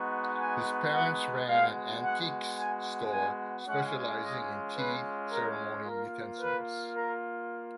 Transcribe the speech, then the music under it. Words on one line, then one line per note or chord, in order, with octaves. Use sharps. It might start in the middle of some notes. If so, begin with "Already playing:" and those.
His parents ran an antiques store specializing in tea ceremony utensils.
Already playing: G#3 B3 D#4 F#4
G#5
F#5
G#3 B3 F#4 F5
F#5
G#5
G#5
G#3 C#4 F4 F#5
D#5
B4
A#4
A#3 F4 A#4
B4
A#4